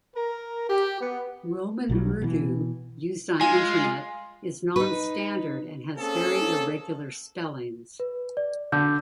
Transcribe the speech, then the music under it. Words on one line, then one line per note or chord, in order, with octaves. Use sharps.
Roman Urdu used on Internet is non standard and has very irregular spellings.
A#4
G4
B3
B1 B2 F#3 G3
B2 E3
G#3 F4 G#5
D#4 B4
A#3 C4 C#4 G#4 A4
B4
D5
D3 G6